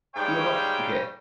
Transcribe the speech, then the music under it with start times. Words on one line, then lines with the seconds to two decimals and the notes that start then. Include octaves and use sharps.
We will not keep you here.
0.14 G#2 G3 C#5 F5 G5